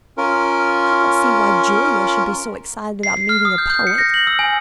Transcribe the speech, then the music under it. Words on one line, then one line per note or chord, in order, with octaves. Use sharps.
I don't see why Julia should be so excited about meeting a poet.
C#4 F4 A#4
C7
C7
F6
D#6
G6
G6
C#7
A#6
F#7
E6
G#5